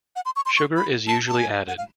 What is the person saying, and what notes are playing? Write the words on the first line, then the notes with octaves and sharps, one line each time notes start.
Sugar is usually added.
F#5
C6
C#6
C6
C#6
B5
A5
A5
G#5
F#5
F5